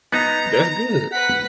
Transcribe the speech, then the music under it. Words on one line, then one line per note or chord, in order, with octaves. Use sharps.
That's good.
B3 D#4 A#5
B4 F#5 B6